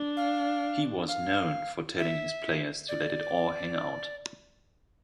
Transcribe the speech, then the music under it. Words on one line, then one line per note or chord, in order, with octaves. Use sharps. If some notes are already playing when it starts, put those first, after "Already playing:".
He was known for telling his players to let it all hang out.
Already playing: D4
F5
F5
E5
D5